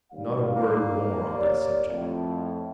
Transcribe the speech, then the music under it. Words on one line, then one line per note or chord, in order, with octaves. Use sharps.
Not a word more on that subject!
D#2 G3 F5
A#3
G4 C#5 D5
F2 A2